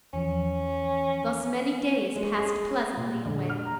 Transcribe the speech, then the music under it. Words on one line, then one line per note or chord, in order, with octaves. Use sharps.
Thus many days passed pleasantly away.
E2 E3 F3 C#4
G#3
G#4
A#2
D3
F6
A#5